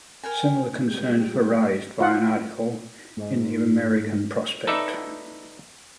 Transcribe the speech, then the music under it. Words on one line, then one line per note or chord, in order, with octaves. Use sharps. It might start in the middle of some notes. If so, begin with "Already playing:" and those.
Similar concerns were raised by an article in "The American Prospect".
A#4 G5 G#5
G3 G#3 G5
F4 F#5
G#2
D#4 A4 B4 D5 E5